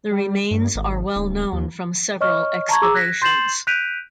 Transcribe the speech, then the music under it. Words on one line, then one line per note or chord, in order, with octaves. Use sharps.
The remains are well known from several excavations.
G3
G2
G#1
D1
D#2
C#5 D#5 C#6 F6
A5 A#5 C#6 G#6
G#4 A#5 D6 E6
F#6 G#6 A#6 B6
C6 G6 A6 C7 E7 F#7
F#6 G6 B6 D7 D#7 F7